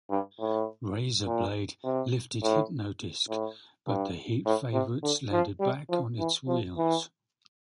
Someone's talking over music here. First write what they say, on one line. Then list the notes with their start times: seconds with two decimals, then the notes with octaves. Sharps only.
Raizer Blade lifted Hypno-Disc, but the heat favourites landed back on its wheels.
0.10 G2
0.39 A2
1.26 A#2
1.84 C3
2.42 A2
3.29 A2
3.87 G2
4.45 A2
4.73 C3
5.03 D3
5.32 F3
5.60 G3
5.89 F3
6.19 E3
6.48 F3
6.77 E3